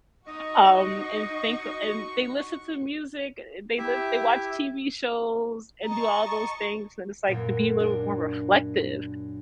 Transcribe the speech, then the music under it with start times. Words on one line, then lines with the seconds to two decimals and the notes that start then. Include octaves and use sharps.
um, and think a and they listen to music, eh, they live they watch TV shows and do all those things, and it's, like, to be a little more reflective
0.27 D#4 F#4 D#5 C#6
3.78 E4 G4 E5
5.85 D#5 A5 A#5 C#6
7.28 F#2 A#2
7.80 D4